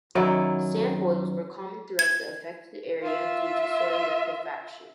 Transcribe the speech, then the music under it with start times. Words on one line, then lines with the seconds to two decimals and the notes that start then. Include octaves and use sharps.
Sand boils were common throughout the affected area due to soil liquefaction.
0.15 F#2 D#3 F#3 D#4 E4 D5
1.99 G#6
3.02 F4 E5